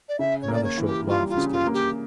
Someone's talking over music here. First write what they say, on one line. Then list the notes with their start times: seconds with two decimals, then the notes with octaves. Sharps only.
Another short laugh escaped him.
0.09 D5
0.19 C#3 E5
0.42 C#5
0.48 A#3 D5
0.64 C#5
0.78 E3
0.86 G4
1.07 G3 F4
1.30 F4
1.37 C#3
1.52 F4
1.67 A#3
1.74 G4